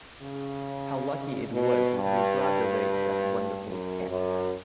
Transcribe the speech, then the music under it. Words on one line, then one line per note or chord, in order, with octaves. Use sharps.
How lucky it was you brought away that wonderful Cap!
C#3
B2
G2
F#2
F#2